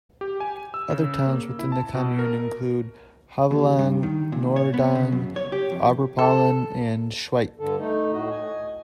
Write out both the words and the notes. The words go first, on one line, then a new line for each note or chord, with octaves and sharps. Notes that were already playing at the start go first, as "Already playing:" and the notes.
Other towns within the commune include Hovelange, Noerdange, Oberpallen, and Schweich.
G4
G#5
E6
C#3
A#3
E4
A5
B2
A#4
D#2
G2
D#3
A#2
C#5
B3
C#3
F#2
C#5
G4
F2
A4
G2 D3 A4
A3 D#4
A2 F#4 D#5
D#5 G#5